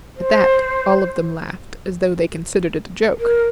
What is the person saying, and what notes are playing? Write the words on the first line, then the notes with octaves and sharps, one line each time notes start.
At that all of them laughed, as though they considered it a joke.
C5
A#4